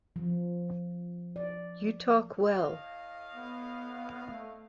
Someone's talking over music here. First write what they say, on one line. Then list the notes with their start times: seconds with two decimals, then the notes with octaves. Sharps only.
You talk well.
0.16 F3
1.36 D5
2.46 A2 D#5 F5
3.34 B3
4.26 A3